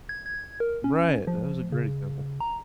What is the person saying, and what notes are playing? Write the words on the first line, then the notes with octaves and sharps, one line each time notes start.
Right, that was a great example.
G#6
G#6
A#4
C#4
F3
C#3
A#5